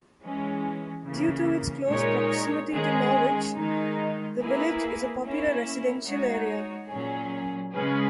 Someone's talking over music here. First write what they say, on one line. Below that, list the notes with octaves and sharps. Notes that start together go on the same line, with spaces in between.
Due to its close proximity to Norwich, the village is a popular residential area.
E3 G#3 C#4
C#3 E3 A#3
A#2 G#3 D#4 A#4 C#5
D#3 G#3 C#4 G#4
D#3 G#3 D#4
A#3 E4 G#4 B4
A#3 C#4 E4
G#3 D#4 F#4 C#5
A#2 F#3 C#4 G#4
C#3 G#3 C#4 G#4 B4